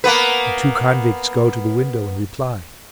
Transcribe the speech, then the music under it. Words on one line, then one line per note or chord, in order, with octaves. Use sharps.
The two convicts go to the window and reply.
A#3 B3 B4